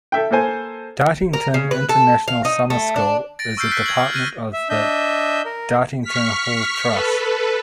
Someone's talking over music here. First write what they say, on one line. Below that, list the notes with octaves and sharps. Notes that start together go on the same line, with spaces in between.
Dartington International Summer School is a department of The Dartington Hall Trust.
A4 E5 G5
A#3 A4 C5 G#5
A#4
C#3
B4
A4
F5
D#4
A3
D4
A6 A#6 D7
C#6 E6 F6 G6 C7 D7
E6 F#6 G6 B6 C7
G#6 F#7
F6 C7
F6 F#6 G#6 A#6 D#7
E5
D4 D#5 E5 G6
A#4
C#6 F6 B6
A4 B4